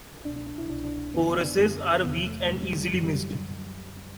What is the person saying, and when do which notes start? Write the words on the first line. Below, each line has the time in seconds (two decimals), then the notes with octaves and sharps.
Choruses are weak and easily missed.
0.25 C2 B2 D4
0.36 D4
0.47 D4
0.58 E4
0.69 C2 B2 D4
0.84 D4
1.14 F#2 B3
1.18 D3
1.29 B3
1.44 D4
1.59 F#2 D3
2.03 E2 C3 E3 B3
2.26 A3
2.48 E2 C3 E3 F#3
2.62 G3
2.78 G3
2.93 F#2 D3 F#3
3.04 G3
3.15 F#3